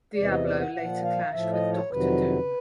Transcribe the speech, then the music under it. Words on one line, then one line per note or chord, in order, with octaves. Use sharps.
Diablo later clashed with Doctor Doom.
E2 C3 E3 D5
D#5
D5
F#5
A#2 F3 F#5
F5
A2 F3 E5
D#5
C#5
F2 C3 D#3 F#3 B4